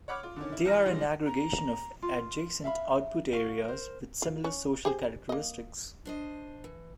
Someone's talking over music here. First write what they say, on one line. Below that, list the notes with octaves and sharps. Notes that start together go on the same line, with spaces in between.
They are an aggregation of adjacent Output Areas with similar social characteristics.
C#5 F#5 B5 D6 F6
F4
D3 D#3 C#4
E4
E2 A#5 F6 A#6
C2 E3 G3 G#3 C#4 D#4
A#5
F4
E5 F5 B5
F#4 F5
A#4 C5
F4
C#4
G4 G#4 C5
A#3 D#5
D4 C5 D#5
E3